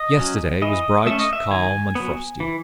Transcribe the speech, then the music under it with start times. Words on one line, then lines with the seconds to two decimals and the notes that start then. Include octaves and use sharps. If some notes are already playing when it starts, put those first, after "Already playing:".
Yesterday was bright, calm, and frosty.
Already playing: D#5
0.17 F#3 C#4
0.62 E3 D#5
1.06 A3 C#4 E5
1.20 D#5
1.33 E5
1.51 D#3 G#5
1.95 F#3 B3
2.40 E3